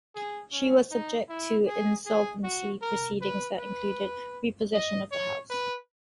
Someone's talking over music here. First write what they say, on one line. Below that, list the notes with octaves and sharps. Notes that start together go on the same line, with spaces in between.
She was subject to insolvency proceedings that included repossession of her house.
G#4
C#4
D#4
E4
G#4
G#4
F#4
A#4
B4
B4
D#5
C#5
B4